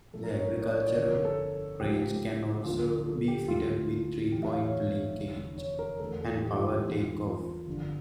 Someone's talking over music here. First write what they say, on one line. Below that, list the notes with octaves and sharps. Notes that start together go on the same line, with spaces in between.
The agricultural range can also be fitted with three point linkage and power take-off.
A#1 A#2 A3 A4
A#4
C#5
A#4
C#5
D5
C#5
D5
G1 F2 D3 C#5
A#4
A4
C#2 C#3 F3 A3 G4
D2 D3 F3 A#3 F4
A4
G4
D2 D3 A3 F4
E2 E3 A3 G4
E5
F5
C#5
F1 E2 D3
C#5
A#4
E2 D3 A3 A4
A4
G4
F4
G4
E2 E3 A#3 F4
F4
G1 F2 D3